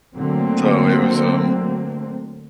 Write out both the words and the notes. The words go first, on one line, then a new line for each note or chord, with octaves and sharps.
so it was, um,
D3 F#3 A3 A#3 C4